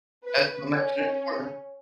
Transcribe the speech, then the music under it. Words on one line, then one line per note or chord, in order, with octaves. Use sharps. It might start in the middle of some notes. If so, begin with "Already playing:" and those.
That's what makes it important.
B4
C#4